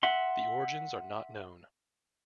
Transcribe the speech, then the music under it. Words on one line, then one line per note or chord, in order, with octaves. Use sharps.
The origins are not known.
E5 F#5 C6